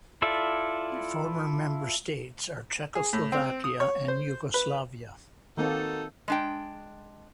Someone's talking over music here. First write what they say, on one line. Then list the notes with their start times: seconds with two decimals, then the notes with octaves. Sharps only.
Former member states are Czechoslovakia and Yugoslavia.
0.22 E4 F4 A4 D5 E5
2.95 G#4
3.13 A2
3.32 C4
3.64 D#6
3.80 C#5
4.08 C5
4.54 B4
5.57 D#3 A#3 C4 D#4 F#4 A4
6.28 G#3 D4 G5